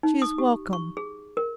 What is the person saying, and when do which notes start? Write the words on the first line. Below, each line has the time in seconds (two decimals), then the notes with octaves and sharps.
"She is welcome."
0.03 D#4
0.22 D#6
0.38 G4
0.73 C#6
0.97 G#4
1.37 A#4